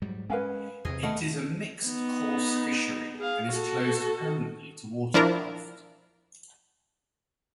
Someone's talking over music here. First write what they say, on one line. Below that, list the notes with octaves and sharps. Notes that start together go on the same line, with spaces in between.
It is a mixed coarse fishery and is closed permanently to watercraft.
G#2 F#3 G3
G#3 C#4 B4 F5 G#5
E2 C3 G#4 D#5
A3 B3 D#5 F5
B3 D#4
G#4 F5
F#4 A4
F3 D4 E4 A#4